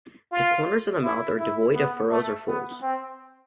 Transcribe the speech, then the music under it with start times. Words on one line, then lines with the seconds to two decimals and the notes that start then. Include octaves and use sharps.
The corners of the mouth are devoid of furrows or folds.
0.32 F4
1.04 E4
1.40 E4
1.75 B3
2.11 A3
2.47 B3
2.82 C4